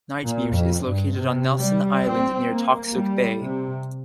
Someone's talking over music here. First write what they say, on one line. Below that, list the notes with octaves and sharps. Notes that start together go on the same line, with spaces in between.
Nightmute is located on Nelson Island near Toksook Bay.
A#2
F2
G2
C3
G3
C4
A#3
G3
C3